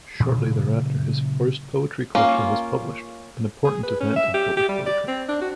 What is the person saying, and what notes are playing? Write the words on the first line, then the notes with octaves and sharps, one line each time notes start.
Shortly thereafter, his first poetry collection was published, an important event in Polish poetry.
A#2 C#3 E3 F#3
A#3 C#4 F4
G#4
B4
C#4
E5
G4
G4
G3
D5
C4
D4
F#4